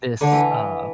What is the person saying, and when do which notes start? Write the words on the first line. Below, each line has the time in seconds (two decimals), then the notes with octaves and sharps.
This, uh,
0.21 D3
0.32 E3